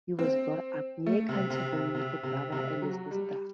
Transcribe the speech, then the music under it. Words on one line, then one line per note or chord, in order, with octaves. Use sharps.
He was brought up near Canterbury with a brother and a sister.
C4
A3
C3
C3
C3
C3
C3
C3
F#3
G3